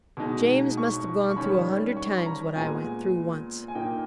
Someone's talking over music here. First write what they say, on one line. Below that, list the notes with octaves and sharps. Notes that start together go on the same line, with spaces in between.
James must have gone through a hundred times what I went through once.
B2 G#3 D#4
C#6
C#6
D#3 G3 C#4 B5
C#6
B5
A#5
A#2 G#3 B3 G#5
G#5
A#2 A#3 D#4 G5